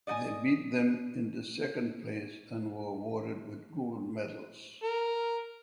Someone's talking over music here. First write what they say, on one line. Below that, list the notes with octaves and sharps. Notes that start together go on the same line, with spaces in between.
They beat them into second place and were awarded with gold medals.
D5 D#5 F#5 G#5
A#4